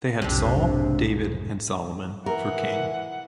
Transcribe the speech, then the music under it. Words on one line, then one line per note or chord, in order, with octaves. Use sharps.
They had Saul, David and Salomon for king.
F1 B1 G#2 C3 D4
E3 A#4 F#5